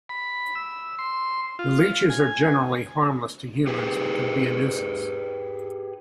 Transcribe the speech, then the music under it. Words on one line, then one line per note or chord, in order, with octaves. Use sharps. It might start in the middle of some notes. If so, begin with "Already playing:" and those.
The leeches are generally harmless to humans but can be a nuisance.
B5
E6
C6
F4
G#5
G4 G#4 B4